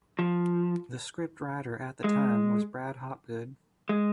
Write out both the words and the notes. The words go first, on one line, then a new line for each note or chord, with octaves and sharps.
The script writer at the time was Brad Hopgood.
F3
G#3
G#3